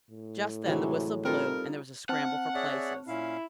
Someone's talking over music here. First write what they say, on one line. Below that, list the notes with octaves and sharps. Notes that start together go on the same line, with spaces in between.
Just then the whistle blew, and there was a scramble for places.
A2
C3 E3 F#3 G#3
G3 C4 D#4 F4 A4 A#4
C4 F#5 A5 F6
G#4 C#5 D5 E5
A#2 C#4 E4 F5